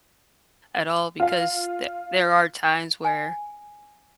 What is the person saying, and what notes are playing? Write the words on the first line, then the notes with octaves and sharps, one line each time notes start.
at all, because th there are times where,
F4 F5
G#5